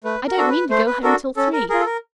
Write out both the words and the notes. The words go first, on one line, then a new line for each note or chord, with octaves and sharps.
I don't mean to go home till three.
A3 B4
A#4
D4 F#4 A4
B4
A3 C5
B4
D4 F#4 A4 A#4
C#4 A4
A#4
F4 G#4 A#4
A4
A#4